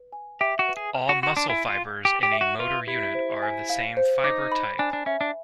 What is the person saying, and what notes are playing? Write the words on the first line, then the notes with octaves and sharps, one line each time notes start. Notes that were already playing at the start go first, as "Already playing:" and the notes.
All muscle fibres in a motor unit are of the same fibre type.
Already playing: B4
G#5
G4 E5
F#4
B4
G#4
F6
F#4
F#4 C6
D4
E4 G#5
F4
F5
G4 G#5
G4
E5
F#4
F4 B4
E4 G4
C5
G#5
F5
C5
D#4 D6
B5
D4 G#5
D4
C#4 E5
D4